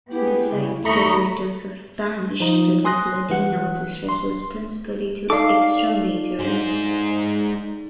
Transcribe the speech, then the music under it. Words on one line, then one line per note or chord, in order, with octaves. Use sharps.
Besides derivatives of Spanish such as Ladino, this refers principally to Extremaduran.
B3 E4 G4 G#4
C#3
D#2 A3 A#5 B5 C#6 D#6
F3 D#4
G#5 C6 D#6 F#6 A#6
E3 F#5 F#6
C6
D#4 A4 D5 F5 D6
G#2 C5